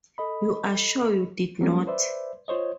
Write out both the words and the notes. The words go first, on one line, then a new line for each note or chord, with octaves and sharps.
You are sure you did not?
A4 D#5 B5
F#3 G3 A#3 C#4
B4 C5 D5 E5
F4 C5 C#5 D#5